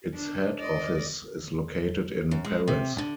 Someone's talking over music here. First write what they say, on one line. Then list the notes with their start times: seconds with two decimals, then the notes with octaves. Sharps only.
Its head office is located in Paris.
0.14 D4
0.58 D5 D#5
2.31 F#2
2.45 G#3
2.68 C3
2.98 D3